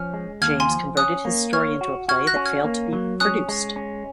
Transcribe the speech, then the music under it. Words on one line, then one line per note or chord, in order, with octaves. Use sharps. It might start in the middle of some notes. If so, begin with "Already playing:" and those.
James converted his story into a play that failed to be produced.
Already playing: F3 C#4 F6
G#3
D#2 F6 G#6
G#5 C6
F3
C#4 D#6 F#6
A#3
C#5 F6 G#6
F#4
F#4 F6 G#6
F#6 A#6
C#4
F6 G#6
A#3
F#3
C#4 D#6 F#6
G#3
C#4